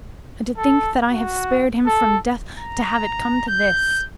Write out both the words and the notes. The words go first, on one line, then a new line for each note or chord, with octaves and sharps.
And to think that I have spared him from death to have it come to this!
A4
F#4
A4
A#5
G6